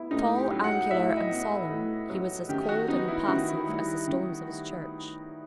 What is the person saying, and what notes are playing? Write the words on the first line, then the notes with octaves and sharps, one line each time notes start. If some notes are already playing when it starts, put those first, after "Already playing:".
Tall, angular, and solemn, he was as cold and impassive as the stones of his church.
Already playing: B3 E4
A2 D#4
G4
F#3
F#5
A2 E5
D#5
B3
B4
A2
F#3
D#3 G4
F#4
B3 D#4
E4
D#3 F#4
E4
G3 E4
E4
D#3